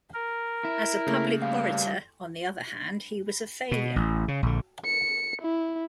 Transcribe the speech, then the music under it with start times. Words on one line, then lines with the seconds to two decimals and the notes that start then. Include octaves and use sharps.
As a public orator, on the other hand, he was a failure.
0.14 A#4
0.65 E4
1.07 C#3 A3 A#3
1.42 G3 F5
3.71 B2
3.96 A1
4.28 C#3
4.43 A#1 D3
4.85 C#7
5.41 E4